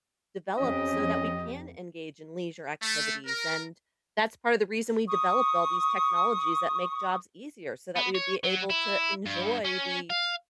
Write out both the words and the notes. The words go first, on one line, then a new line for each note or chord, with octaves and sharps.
develop so that we can engage in leisure activities, and that's part of the reason we developed all these technologies that make jobs easier so that we would be able to enjoy the
F2 C#4 G4 D#5
A3
A#4
C#6 D#6
B3
C#5
F#3
E4
G2
C#4
F5